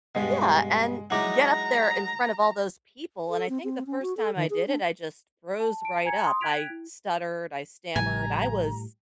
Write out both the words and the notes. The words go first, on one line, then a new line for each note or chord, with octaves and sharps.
Yeah, and get up there in front of all those people, and I think the first time I did it, I just froze right up, I stuttered, I stammered, I was
G2 B2 G#3 D#5
F#3 G#3 D#4 E4 E5 A#5 D6
A4
C4
C4
C#4
F#4
A4
D#3
G#4
D4
A5
A5 D7
G#5 A#5 G#6 C#7
C6 D#6
G5 F#6 G#6 B6 D7 F7
E4
A1 A2 C#3 F3 G3 G#5 A#5